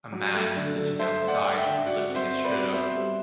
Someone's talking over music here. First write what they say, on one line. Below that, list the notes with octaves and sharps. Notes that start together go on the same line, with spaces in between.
A man is sitting outside and lifting his shirt up.
F#3
A3
D3
D3
A4 C5 E5
A3
D5 F#5
A4
E5 G5
D3
F#4 D5 F#5
C4
C5 E5
C4
B4 D5
F#4
B3 C5 E5
G3